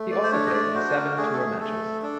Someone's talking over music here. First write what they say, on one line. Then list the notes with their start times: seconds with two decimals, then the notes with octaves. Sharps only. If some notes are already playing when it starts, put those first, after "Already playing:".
He also played in seven tour matches.
Already playing: A3
0.11 D5
0.23 C5
0.32 D4 C#5
0.46 D#5
0.54 D5
0.75 F#4 C5
0.96 A#4
1.17 A3 G#4
1.33 A4
1.39 G#4
1.60 A3 A4
2.03 D4 A4